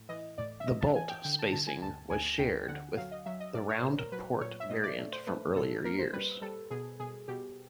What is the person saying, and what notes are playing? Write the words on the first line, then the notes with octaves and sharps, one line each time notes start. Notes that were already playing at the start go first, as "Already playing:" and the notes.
The bolt spacing was shared with the round-port variant from earlier years.
Already playing: A2
E3 D#5
A2 D5
E5
A2 D#5
A5
E3 G#5
G5
D3 G5
A5
D3 A5
G#5
D2 A5
D2 G#5
D2 G5
D3 F#5
F#3 F5
D#5
F#3 E5
D#5
A3 D5
C#5
A#2 C5
A#4
F#3 B4
A#2 C#5
E5
A#2 D#5
D5
A3
C5
A3 B4
A#2 A4
A#3 A#4
C5
G3 B4
G3 A4
B2 G#4
B2 G#4
B2 G4